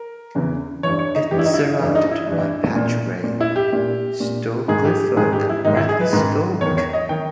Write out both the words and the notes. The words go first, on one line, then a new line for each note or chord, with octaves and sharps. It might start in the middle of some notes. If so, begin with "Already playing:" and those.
It is surrounded by Patchway, Stoke Gifford and Bradley Stoke.
Already playing: A#4
E2 C#3 E3
G2 E3 C#5
C#5
D#4
G2 E3 G4
E4
D#4
E4
G2 E3
D#4
E4
G2 E3
A#2
A#2
E4
G4
A#2
A#2
G#2 D#3 G#4
G4
G4
G#2 D#3 G#4
G4
E4
G#2 D#3 D#4
E4
G#4
B4
G#2 D#3
E2 D#3 C#5
C#5
D#5
D#3 G5